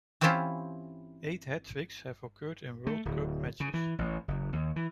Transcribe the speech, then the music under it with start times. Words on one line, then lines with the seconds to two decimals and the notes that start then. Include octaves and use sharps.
Eight hat-tricks have occurred in World Cup matches.
0.21 E3 C4 C#4 E4 F4 G4
2.87 A3
3.05 D1
3.60 C#3
3.74 E3
3.99 A1
4.28 F#1
4.53 D#2
4.76 E3